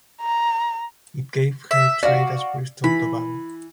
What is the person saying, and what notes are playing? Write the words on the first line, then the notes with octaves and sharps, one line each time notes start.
It gave her trade as Bristol–Tobago.
A#5
E5
F#4 D5 F5
E3 B5